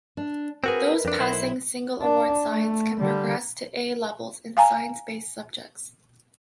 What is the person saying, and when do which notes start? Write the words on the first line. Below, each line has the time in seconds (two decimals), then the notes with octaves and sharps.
Those passing single award science can progress to A Levels in science-based subjects.
0.17 D4
0.64 C4 F#4 G#4 A#4 B4
1.05 F2 D4
1.20 B1 E4 C5
2.01 D4
2.48 A3
2.98 D3 G3
4.57 F5 G#5 A#5